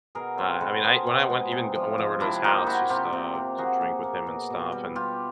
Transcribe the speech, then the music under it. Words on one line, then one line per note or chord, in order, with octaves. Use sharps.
uh, I mean, I when I went even go I went over to his house, just, uh, to drink with him and stuff, and,
B2 G#4 A#4
C4
B2 A4 B4
C4 G#4 A#4
B2
G#3
C3
F3
F3
C3 D4 E4
A#3 D#4 F4
A#3 E4 F#4
C3 F4 G4
C3
C3
A#3 F#4 G#4
A#3
A#3
B2
B2
G3
G3 F4 G4